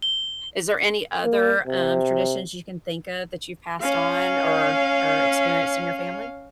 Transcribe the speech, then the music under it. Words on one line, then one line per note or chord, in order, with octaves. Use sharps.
Is there any other, um, traditions you can think of that you've passed on or or experienced in your family?
G7
A#3
C3
C#4 F5